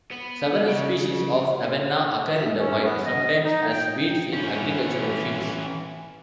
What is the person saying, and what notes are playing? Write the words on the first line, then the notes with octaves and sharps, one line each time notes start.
Several species of "Avena" occur in the wild, sometimes as weeds in agricultural fields.
B3
C#3
E5
C#4
B3
D#5
D#4
G5
E3 C#4